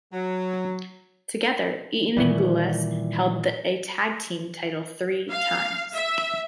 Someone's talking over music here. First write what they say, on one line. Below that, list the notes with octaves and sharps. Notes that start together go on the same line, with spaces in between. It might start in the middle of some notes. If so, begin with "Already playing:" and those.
Together, Eaton and Gulas held the tag team title three times.
F#3
A#2 D#3 E3 G3
F5
E5